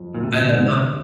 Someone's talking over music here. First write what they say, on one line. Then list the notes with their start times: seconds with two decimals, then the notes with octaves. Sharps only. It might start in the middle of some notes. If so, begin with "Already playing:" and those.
And I'm not
Already playing: F2
0.14 D2 A#2
0.23 C3
0.32 A#2
0.40 D3
0.53 G#2
0.66 D3